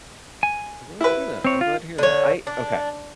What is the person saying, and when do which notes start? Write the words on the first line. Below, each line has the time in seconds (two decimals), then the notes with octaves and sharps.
I'm glad to hear that, I'm glad to hear that, I okay,
0.43 G#5
1.01 E4 B4
1.44 C4 C#5
1.61 F4
1.98 D3 C#5
2.47 D4